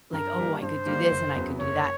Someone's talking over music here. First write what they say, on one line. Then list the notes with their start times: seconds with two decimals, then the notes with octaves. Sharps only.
like, "Oh, I could do this and I could do that,"
0.13 G2 A#4
0.37 D#3 G3 A#3
0.62 G2 C5
0.86 D#3 G3 A#3
1.11 F#1
1.35 E2 C#3 F#3 B3
1.59 F#1 C#5